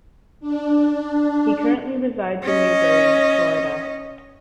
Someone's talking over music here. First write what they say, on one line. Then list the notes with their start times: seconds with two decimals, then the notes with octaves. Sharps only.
He currently resides in Newberry, Florida.
0.41 D4
2.43 C#4 D#5